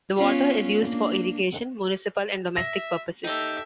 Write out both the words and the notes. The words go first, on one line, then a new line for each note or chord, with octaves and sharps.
The water is used for irrigation, municipal and domestic purposes.
B3 C#4 F4
A#3 D4
E5 A#6
D#4 G4 A4 E5 G5